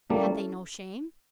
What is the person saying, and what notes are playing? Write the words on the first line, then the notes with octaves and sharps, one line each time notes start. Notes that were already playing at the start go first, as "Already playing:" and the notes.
Had they no shame?
G3 A#3 C#4 E4 A4